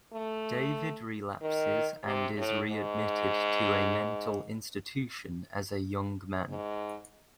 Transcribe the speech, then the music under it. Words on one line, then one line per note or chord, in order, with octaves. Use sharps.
David relapses and is readmitted to a mental institution as a young man.
A3
D#3
C3
A2
G#2
G#2